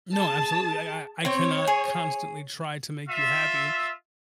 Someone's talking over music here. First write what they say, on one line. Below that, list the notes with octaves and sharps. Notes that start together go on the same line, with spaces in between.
No, absolutely. I I I cannot constantly try to make you happy,
G#4 A5
C4 C#5 G5
G#4
F4 E5